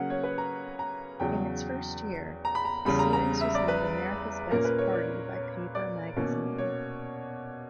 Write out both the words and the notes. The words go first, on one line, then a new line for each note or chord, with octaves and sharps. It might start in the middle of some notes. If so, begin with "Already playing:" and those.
In its first year, the series was named "America's Best Party" by Paper Magazine.
Already playing: C#3 F#3 A#3 C#4 F#5
C#5
B4
A#5
A#5
E2 C#3 F#3 G5
A#5
B5
A#5
E2 C#3 G3 B5
A#5
A#5
E5
D5
B4
A#2 A#3 C#4 A#4
B4
C#5
D5
C#5
D5
B2 A#3 C#4
C#5